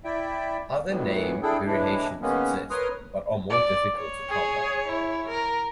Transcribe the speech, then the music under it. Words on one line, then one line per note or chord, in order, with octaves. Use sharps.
Other name variations exist, but are more difficult to come by.
E4 D5 E5 G5
F2 A2 D#3 E3 F#3
D4 E4 G#4 A4 G5
A2 E3 G#3 D4 E4
D#3 G#3 A#3 B3 C#4
A#4 B4 C#5 C6 D#6 F6
D5
C#5
G#4
E4
A#4